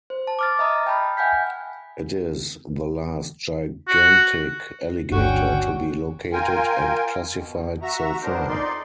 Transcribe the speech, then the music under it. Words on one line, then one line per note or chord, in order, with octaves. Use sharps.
It is the last gigantic alligator to be located and classified so far.
C5
A5
D6 F6 A6
D#5 E5 A#5 D#6
G5 A5 B5 F6
E5 F#5 G#5 G6 B6
F#4
G1 D2 D3 C#4 F#4 G5
F4 A#4 G5 G#5
B2
F#4 E5 A#5
B3 D4 A#4 C5
F2 D#4 D5 C6